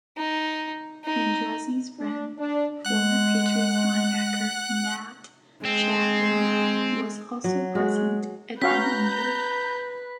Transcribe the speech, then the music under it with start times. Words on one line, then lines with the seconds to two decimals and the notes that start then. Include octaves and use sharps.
Andruzzi's friend, former Patriots linebacker Matt Chatham, was also present, and uninjured.
0.17 D#4
1.04 D#4
1.99 D4
2.38 D4
2.85 G#3 F#5 F#6
5.65 G#3 C4
7.44 F#3
7.75 G#3 F#4
8.62 C#4 F#4 B4 F5 A#5 G6 B6